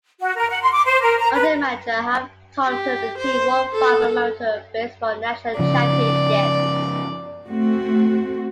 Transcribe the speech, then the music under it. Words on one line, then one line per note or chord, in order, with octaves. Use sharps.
Under manager Harv Tomter, the team won five amateur baseball national championships.
F#4
A#4
F#5
C6
D6
C5
A#4
A#5
B4
G4
C5
A4
C#3 F3 D5
A3 C4 F#4